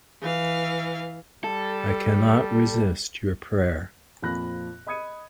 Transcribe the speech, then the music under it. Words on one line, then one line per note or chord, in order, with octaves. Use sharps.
I cannot resist your prayer.
E3 F5
G3 A4
F2 A#2 F3 B5 F#6 A#6
D#5 B5 D#6 G#6 C#7 D#7